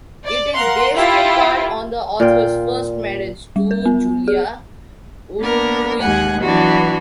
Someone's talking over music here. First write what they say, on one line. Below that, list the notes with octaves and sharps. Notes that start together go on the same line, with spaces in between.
It is based in part on the author's first marriage, to Julia Urquidi.
D5
A#4 F5 F#5 C6
E4 F4 G4
A#2 F4 G5
G3
A#4
B3
G#4
A#3 B3 D4 A#4
D#2 G#3 A#3 F#5 G#5 F#6
E3 F#3 B3 D4 F4 F#4